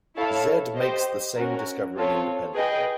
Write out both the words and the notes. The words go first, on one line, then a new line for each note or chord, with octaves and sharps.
Zedd makes the same discovery independently.
E4 A4 C#5 F5 A5
G4 C5 D#5
C#4 F#4 A#4
C4 F4 A4 C#5
G#4 B4 D#5 G5